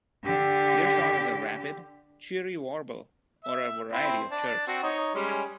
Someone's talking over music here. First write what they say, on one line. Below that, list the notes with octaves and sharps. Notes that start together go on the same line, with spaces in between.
Their song is a rapid, cheery warble or a variety of chirps.
D3 G4
E5
C4 E4
D4 A5
C4 F#4
D#4 C#5
G3 G#3 C#4